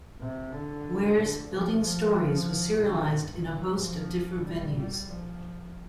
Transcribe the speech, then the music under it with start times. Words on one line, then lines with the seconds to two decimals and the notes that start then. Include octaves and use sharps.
Ware's "Building Stories" was serialized in a host of different venues.
0.20 C3
0.53 D3
1.18 D3
1.50 F3
1.82 F3
2.80 D3
3.13 G2
3.78 F3
4.44 G3
4.76 G3
5.09 F3